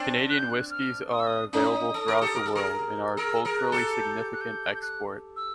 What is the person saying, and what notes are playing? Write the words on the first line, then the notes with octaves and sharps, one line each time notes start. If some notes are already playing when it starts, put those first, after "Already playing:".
Canadian whiskies are available throughout the world and are a culturally significant export.
Already playing: C4 D4
F#6
G6
F#6
F6
D#6
E6
D#6
C#4 D#4 D#6
A4
A#4
G4 A4
A#4
A4
G#4 A#4
G#4 A#4 E6
G#4 A#4
F#6
G4 A4
G6
F#6
G6
G6
F#6
E6